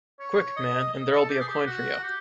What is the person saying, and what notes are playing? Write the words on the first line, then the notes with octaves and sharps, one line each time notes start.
Quick, man, and there'll be a coin for you.
C#5
D#5
D#5
A4
G4
G#4
G4
F#4
G4